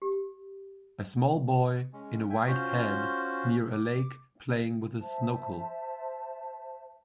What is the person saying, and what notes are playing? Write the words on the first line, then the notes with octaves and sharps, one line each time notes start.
A small boy in a white had near a lake playing with a snokel.
G4
G#3 C#4
E5 G5 G#5
C#4 F4 F#4 C5
D6
C5 E5 A5